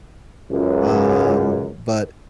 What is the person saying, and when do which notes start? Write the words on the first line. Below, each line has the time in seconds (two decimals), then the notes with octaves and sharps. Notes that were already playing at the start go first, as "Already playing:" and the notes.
um, but
0.51 C#2 F#2